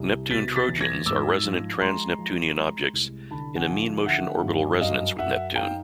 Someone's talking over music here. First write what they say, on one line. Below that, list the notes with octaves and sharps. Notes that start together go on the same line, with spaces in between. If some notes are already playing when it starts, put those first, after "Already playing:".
Neptune trojans are resonant trans-Neptunian objects in a mean-motion orbital resonance with Neptune.
Already playing: C2 G3
B2 A6 B6
A6 B6
E2
G#6 A#6
G#2 D6 E6
F3
G#3 A#5 C6
F3
G#3
C2
D3 A5 B5
F#5 G#5
F3
D3 E5 F#5
G2
F#2 D#5 F5
F#2 E5 F#5
D#4 F5 G5